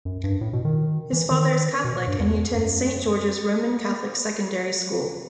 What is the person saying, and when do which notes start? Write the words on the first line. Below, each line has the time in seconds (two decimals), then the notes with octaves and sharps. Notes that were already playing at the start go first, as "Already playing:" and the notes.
His father is Catholic, and he attended Saint George's Roman Catholic Secondary School.
0.05 F#2
0.24 G2
0.41 A2
0.53 B2
0.65 D#3
1.13 E3
1.31 D#3
1.84 B2
2.07 G2
2.19 E2
2.55 F#2